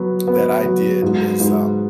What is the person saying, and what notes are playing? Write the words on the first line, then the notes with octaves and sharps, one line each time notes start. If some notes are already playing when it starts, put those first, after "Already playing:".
that I did is, um,
Already playing: F#3 B3
B3
F#3
G#2
G#2